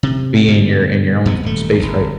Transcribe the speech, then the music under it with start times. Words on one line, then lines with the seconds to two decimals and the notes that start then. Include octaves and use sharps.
be in your in your own space, right?
0.03 C3
0.48 B2 D3 G3
1.26 F2 B3
1.43 D#1 A3
1.83 G1